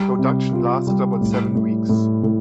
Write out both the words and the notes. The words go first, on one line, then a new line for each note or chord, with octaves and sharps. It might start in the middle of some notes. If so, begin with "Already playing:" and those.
Production lasted about seven weeks.
Already playing: G3
C3
F4
G3
A2
A2
A2
A2